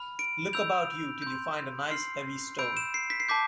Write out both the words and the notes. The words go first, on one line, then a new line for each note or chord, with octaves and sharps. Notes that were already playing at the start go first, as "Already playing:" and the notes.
Look about you till you find a nice, heavy stone.
Already playing: B5 F6
D7
B5 E6 G6 F7
C6 G6
C6 F6 C7
B5 E6 G6 D7
E7
C7
B6
C7
A5 D6 G6 B6